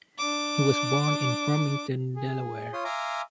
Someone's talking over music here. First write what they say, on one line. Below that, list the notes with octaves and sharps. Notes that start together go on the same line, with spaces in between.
He was born in Farmington, Delaware.
D4 D6
G#4
F4 C#5 C6 D#6
E5 F5 G#5 A#5 C6 D6